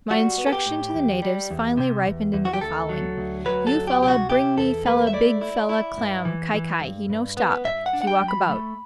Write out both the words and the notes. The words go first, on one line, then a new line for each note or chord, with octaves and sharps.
My instruction to the natives finally ripened into the following “You fella bring me fella big fella clam—kai-kai he no stop, he walk about.
G3 F#4
B3
A4
G4
A2
E2
G3
E2
C3
E2
E2
F#4
G4
D2 A4
F#3
D2
F#3 B4
A4
D2
G4
C3 G4
F#4
E4 G4
E2 A4
A3 B4
E5
E4 D5
E4
E4
G2
E3
E3
G2
G2
B3
G2 E5
F#5
D4
F#5
G5
F#3
B5
A3